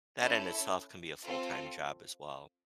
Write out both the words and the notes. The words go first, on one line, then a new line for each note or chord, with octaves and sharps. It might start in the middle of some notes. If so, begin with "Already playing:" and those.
that in itself can be a full-time job as well.
C#4 E4 A4
C4 F4 A4